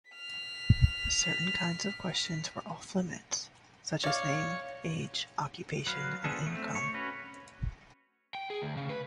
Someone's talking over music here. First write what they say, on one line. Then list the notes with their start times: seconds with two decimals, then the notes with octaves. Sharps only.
Certain kinds of questions were "off-limits", such as name, age, occupation, and income.
0.11 F6 B6
4.04 C#5 D5 F5
5.87 F#3 B4 F5
6.24 F3 B3 D4 G#4 A4
6.47 A3 C4
6.75 C#5
6.94 C#4 F#4 B4
8.35 G5
8.50 G#4
8.62 D2
8.77 C#3
8.89 B4